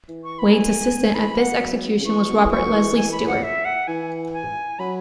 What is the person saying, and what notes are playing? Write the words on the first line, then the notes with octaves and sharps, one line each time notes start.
Wade's assistant at this execution was Robert Leslie Stewart.
E3
C#6
B5
G#5
E3 B5
F#5
F#3
C#3
E3 C#6
B2
C#3
E3
F#3 C#6
E3
G#5
B5
F#5
E5
F#5
E3 G#5
G#5
F#3 B5